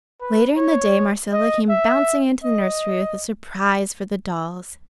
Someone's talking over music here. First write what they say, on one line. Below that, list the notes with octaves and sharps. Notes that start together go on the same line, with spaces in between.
Later in the day Marcella came bouncing into the nursery with a surprise for the dolls.
B4
C#5
D#5
E5
D#5